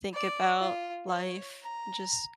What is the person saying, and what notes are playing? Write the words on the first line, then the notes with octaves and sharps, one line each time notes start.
think about life and just
D5
F4
C#5
A#5